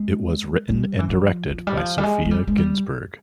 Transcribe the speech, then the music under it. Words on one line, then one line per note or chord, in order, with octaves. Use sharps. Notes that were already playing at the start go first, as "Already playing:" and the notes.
It was written and directed by Sophia Ginzburg.
Already playing: G#3
G3
E3
F3
F3
G3
F3
G3
G#3
G#3
G3
G#3
G3